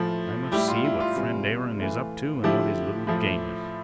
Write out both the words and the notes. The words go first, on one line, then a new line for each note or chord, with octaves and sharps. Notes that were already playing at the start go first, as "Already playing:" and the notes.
I must see what friend Aaron is up to and what his little game is.
Already playing: A2 F3 A3
A2 G3 E4 G4
F4
E4
F4
C3 E3 G3
A2 E3 A3
D3 F3 A3 E4 G4
A2 F3 A3